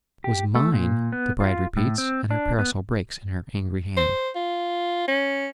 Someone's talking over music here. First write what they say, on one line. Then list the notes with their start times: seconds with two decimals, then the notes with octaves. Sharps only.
'Was mine!' the bride repeats, and her parasol breaks in her angry hand.
0.24 G4
0.55 A3
0.73 A#2
1.12 B3
1.40 F4
1.77 A2
1.98 C4
2.31 D4
2.59 B3
3.97 C5
4.35 F4
5.08 C#4